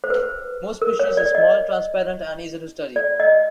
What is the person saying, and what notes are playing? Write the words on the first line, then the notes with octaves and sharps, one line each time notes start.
Most species are small, transparent, and easy to study.
C5
B4
A#4
C#5
D5
D#5
D5
D#5